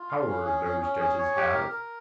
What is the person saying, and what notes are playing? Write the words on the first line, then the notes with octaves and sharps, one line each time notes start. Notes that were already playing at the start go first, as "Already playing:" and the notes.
Power those judges have.
Already playing: F4
F5
C#4
G#4
C#4
C#4
G#4
C#5
G4
A#4
A#4